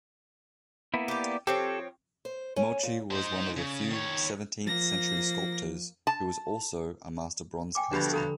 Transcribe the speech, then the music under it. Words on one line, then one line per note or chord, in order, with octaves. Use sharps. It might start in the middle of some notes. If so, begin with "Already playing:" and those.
Mochi was one of the few seventeenth-century sculptors who was also a master bronze-caster.
A#3 B3 E4
G4 D5
F3 C4 G4 A4 C#5
C5
C#4
A#2
D#4 C5
C#3
D#3 C#5
F3 A#3 A#6
A5
G5 G#5 D6
G2 B2 D3 F3 D4 G4 B5
A4 A#5 B5